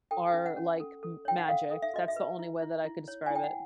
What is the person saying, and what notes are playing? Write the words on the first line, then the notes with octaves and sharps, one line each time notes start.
are like m magic; that's the only way that I could describe it.
A4 G5
C#4
F#5
C#4
A4
A4
C#5 G5
F#5
A4 F5
A4
E5
F#4 D#5
E5
B4
E4
E4
E4
C#5
G#5
E4 G5
F#5